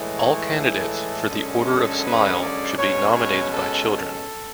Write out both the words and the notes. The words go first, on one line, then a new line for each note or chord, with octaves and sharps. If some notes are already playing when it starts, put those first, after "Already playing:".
All candidates for the Order of Smile should be nominated by children.
Already playing: A2 E3 G#3
C#5
A4
F#2 D3 G#3 C#4
A4
B4
D5
B2 G#3 C#4 C#5
C#5
A4
A4